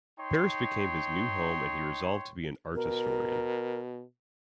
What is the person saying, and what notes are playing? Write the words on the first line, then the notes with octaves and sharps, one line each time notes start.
Paris became his new home and he resolved to be an art historian.
D#4 C#5 G5 C6
B2 A#4